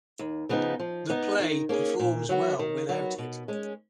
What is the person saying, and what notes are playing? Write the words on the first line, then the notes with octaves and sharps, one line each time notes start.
The play performs well without it.
D#2
C#3 F3 B3 D#4
F3
B3 D#4
D#3
A#3 C#4 G#4
A#2
F#3 B3 F#4
D#3
F#3 B3 F#4
B2
G#3 C#4